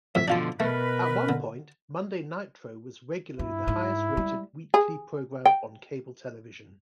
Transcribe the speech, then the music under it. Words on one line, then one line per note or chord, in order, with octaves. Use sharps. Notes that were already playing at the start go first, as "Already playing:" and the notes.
At one point, "Monday Nitro" was regularly the highest-rated weekly program on cable television.
F2 A2 C3 E5
B2 D3 F3 D4 F4 A5
B2 A3 A#4 B4
D3
G2 E4
G#2
G3 G#3
G#4
G5